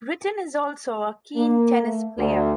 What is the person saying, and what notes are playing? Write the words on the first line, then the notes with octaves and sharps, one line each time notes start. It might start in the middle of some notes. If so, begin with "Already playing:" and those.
Witten is also a keen tennis player.
A#3
A3
D2